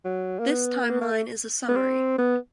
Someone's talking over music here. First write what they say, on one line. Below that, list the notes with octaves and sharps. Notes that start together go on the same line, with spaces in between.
This timeline is a summary.
F#3
A#3
B3
A#3
B3
A#3
A3
B3
C4
B3